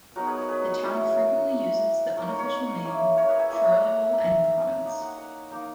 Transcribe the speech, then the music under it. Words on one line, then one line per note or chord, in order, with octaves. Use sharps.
The town frequently uses the unofficial name Charleval-en-Provence.
F#3 B3 D#4 F#4 A#4
G#4 B4
A#4 C#5
G#4 B4
G#4 B4
F#4 A#4
F#3 C#4 E4 G#4
F#4 A#4
G#4 B4
A#4 C#5
A#3 E4
A#3 D#4 A#4 C#5
A#4 C#5
A#4 C#5
A#3 C#4 E4
A#4 C#5
B4 D#5
E5 G#5
A#3 E4 G#5 B5
F#5 A#5
F#5 A#5
G#3 D#4 E5 G#5
A#3 D#4 D#5 F#5
D#5 F#5
F#5 A#5
A#3 D#4